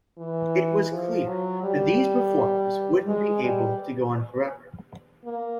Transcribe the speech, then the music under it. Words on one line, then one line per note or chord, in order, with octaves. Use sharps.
It was clear that these performers wouldn't be able to go on forever.
E3
F3
F#3
G3
G#3
G3
A#3